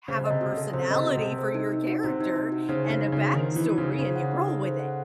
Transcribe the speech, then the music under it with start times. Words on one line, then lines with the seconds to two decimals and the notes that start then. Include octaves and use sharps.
have a personality for your character and a backstory and you roll with it.
0.08 C#3 C5
0.21 C#3
0.26 C3 D#5
0.41 F#4
0.53 C#3 A4
0.73 C3 C5
0.90 C#3 D#5
0.96 C3
1.07 F#4
1.17 C3 A4
1.38 C5
1.54 D#4
1.72 D#4
1.87 F#4
2.03 C3 C5
2.21 D#4
2.36 D#4
2.52 F#4
2.69 C#3 C5
2.85 D#4
2.90 C#3
3.01 D#4
3.12 C#3 F#4
3.34 D#3 C5
3.51 D#4
3.56 E3
3.66 D#4
3.78 C#3 F#4
3.99 C#3 C5
4.16 F#5
4.31 D#4
4.48 A4
4.63 C5
4.79 F#5